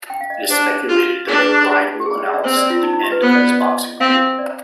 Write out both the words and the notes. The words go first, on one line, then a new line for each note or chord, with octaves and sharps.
It is speculated that McBride will announce the end of his boxing career.
G5
F5
D#5
D5
D4 C5
F4
D4 G#4
B4
G#4
G4
G#4
D5
C4 C5
D5
F4
D#4
D#4
G4
B4
B3 C5
D5
D5
D#5
C4 F5
D5